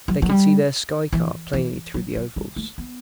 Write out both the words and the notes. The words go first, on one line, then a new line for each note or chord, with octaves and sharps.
They could see their sky-car plainly through the ovals.
F#3
F#3
G3
E3
E3
F#3
F#3
G3
A3
B3